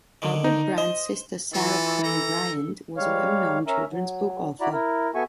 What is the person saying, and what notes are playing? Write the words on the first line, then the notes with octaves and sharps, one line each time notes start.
Albert Bryant's sister, Sara Cone Bryant, was a well-known children's book author.
D3 D#3
D#4
C5 D#5
E3 F4 A4
A4 A#5
G3 G#3 C#5 F5
C#4 A#4 E5 A#5
F#3
E4 F#4 D5 A#5 B5
E4 A#4
B3 F#4 A4 E5 G#5 C#6